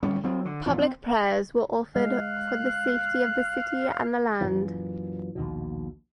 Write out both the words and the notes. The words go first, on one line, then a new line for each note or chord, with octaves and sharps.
Public prayers were offered for the safety of the city and the land.
D1 G3 C#4
F#3 C4
D3
A1 F2 A#2 E3
B3 C4
G#3 F5 F#6
F#2 A#2 E3
A#1 D#2 B2